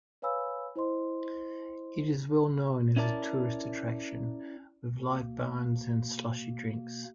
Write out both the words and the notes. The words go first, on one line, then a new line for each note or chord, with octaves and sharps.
It is well known as a tourist attraction, with live bands and slushy drinks.
B4 C#5 F5 G#5 B5 E6
E4 C5 D#5 C6
C#4 E4 A#4 D5 A5
B2 A#3